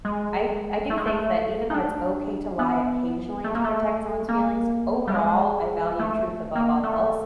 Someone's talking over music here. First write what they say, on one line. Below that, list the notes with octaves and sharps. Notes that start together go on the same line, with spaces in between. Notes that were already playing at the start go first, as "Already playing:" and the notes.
I I do think that even though it's okay to lie occasionally to protect someone's feelings, overall, I value truth above all else,
G#3
A3
G#3
A3
D#4
D4
B3
A3
A#3
A3
A#3
G3
G#3
A3
A#3
A3